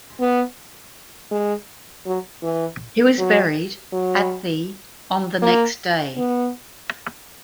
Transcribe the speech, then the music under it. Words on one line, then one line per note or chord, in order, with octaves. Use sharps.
He was buried at the on the next day.
B3
G#3
F#3
E3
F#3
F#3
A#3
B3